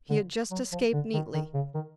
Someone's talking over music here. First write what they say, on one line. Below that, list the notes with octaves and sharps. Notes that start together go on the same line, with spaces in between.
He had just escaped neatly.
D3
F#3
F3
D3
D#3
D#3
C#3
D#3